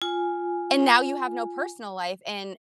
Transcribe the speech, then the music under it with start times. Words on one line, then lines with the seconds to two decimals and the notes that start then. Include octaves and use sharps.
And now you have no personal life and
0.02 F4 G#5